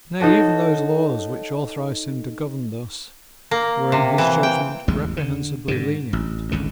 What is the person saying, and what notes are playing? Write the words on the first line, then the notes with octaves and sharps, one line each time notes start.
Nay, even those laws which authorised him to govern thus were in his judgment reprehensibly lenient.
D#4 F#4 A4 C#5
A#3
C3
E3
G5
A1 E2 G#3
D3
G#2 D3
A1
G#1 C#2 D3